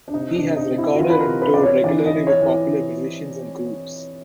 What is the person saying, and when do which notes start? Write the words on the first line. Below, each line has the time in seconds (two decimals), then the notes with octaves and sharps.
He has recorded and toured regularly with popular musicians and groups.
0.08 D4
0.14 C3 D#4
0.36 D4
0.42 C3
0.56 D#4
0.70 C3
0.78 E4
0.94 F#4
0.99 E3 F4
1.10 B4
1.20 A#4
1.27 C3
1.42 B4
1.54 C3 D5
1.63 C#5
1.84 E3 D5
2.06 D#5
2.13 E3
2.27 C#5
2.41 E3